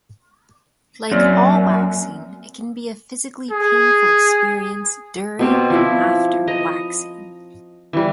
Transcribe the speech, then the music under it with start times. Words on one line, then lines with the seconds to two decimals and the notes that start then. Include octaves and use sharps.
Like all waxing, it can be a physically painful experience during and after waxing.
1.12 F#2 A#3 C4 D5
3.51 G#4
5.39 B2 C4 G4
5.70 F3 E4
6.47 D#5 A#5
7.93 E3 G3